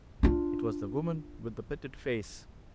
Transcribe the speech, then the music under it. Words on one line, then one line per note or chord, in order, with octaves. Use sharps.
It was the woman with the pitted face.
D4 F4